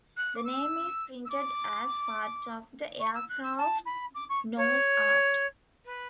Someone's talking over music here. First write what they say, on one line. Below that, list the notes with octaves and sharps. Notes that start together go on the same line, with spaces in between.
The name is printed as part of the aircraft's nose art.
F#6
D6
E6
E6
D6
C#6
E6
F#6
E6
A5
B5
D6
C#6
C#5
B4